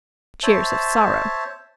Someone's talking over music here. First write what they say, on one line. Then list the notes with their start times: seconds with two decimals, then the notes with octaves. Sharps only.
Cheers of sorrow.
0.43 C5 C#5 E5 A5